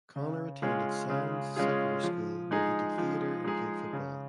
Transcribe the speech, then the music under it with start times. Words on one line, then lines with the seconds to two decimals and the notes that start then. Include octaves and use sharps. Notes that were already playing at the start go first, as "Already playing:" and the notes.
Connor attended Sands Secondary School where he did theatre and played football.
0.16 C#3
0.62 G#3 C#4 F4 G#4
1.09 C#3
1.56 G#3 C#4 F4 G#4
2.04 F3
2.51 G#3 D#4 G#4
2.98 F3
3.45 G#3 D#4 G#4
3.93 C#3